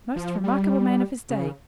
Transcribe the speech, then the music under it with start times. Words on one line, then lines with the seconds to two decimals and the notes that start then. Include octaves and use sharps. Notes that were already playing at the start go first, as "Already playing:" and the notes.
Most remarkable man of his day.
0.16 F3
0.44 G3
1.30 C#3